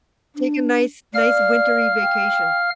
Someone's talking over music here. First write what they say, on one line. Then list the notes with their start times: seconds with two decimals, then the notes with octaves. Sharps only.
Take a nice nice wintery vacation.
0.36 D4
1.14 D5 F5 F6
2.02 G5